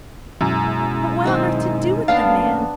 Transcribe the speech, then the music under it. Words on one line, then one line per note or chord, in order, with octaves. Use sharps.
But what on earth to do with the man?
F#2 B2 G#3 E4
D#3 C4
B3 D4 F5 A5
A3 A#3 C#4